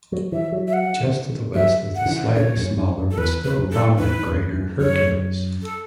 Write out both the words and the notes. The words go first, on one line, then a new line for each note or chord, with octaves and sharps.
Just to the west is the slightly smaller but still prominent crater Hercules.
F#3
E3 E5
F#3
E5
F#5
F#3 E5
F#5
C#3
E3
C#3 C#5
F#2
F#2
F#2
A4
E2 B4
B4
F#2
A4
E2 B4
E2
F#2
F#2 C#5
A4